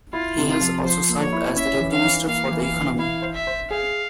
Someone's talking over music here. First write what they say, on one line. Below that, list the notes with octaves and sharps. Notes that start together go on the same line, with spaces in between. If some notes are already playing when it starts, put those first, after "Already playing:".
He has also served as the Deputy Minister for the Economy.
E4 F4
C3
F4
F3
F3 C5
A#3
C#5
E4
C#4 E5
E3
F5
E3
A#3 F5
E3
F5
E3
E4 F5
C5
E5
C5
G#4 F5